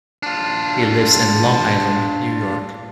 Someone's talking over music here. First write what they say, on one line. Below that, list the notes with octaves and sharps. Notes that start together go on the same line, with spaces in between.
He lives in Long Island, New York.
D4 F4